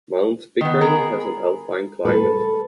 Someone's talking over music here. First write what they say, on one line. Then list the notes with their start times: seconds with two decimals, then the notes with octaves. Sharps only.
Mount Pickering has an alpine climate.
0.61 D#3 B3
0.81 B3 G#4 A#4
2.05 A4 B4